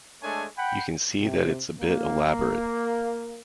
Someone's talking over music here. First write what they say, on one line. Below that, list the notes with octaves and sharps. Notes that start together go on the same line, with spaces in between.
You can see that it's a bit elaborate?
G#3 A3 D4 A4 C#5 G#5
F#5 G5 B5
C3
A#3